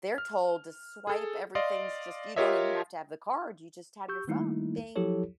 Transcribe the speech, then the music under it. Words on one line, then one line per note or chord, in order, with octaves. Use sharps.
they're told to swipe, everything's just you don't even have to have the card, you just have your phone, "Bing,
F6
G#4 A4
D5 D#5 F5 C6
F4 G4 A#4 C#5 D#5 E5
G4 C#6 E6 G6
D#3 G3 A3 A#3 D#4 E4
F3 F#3 E4 G4 A4 C#5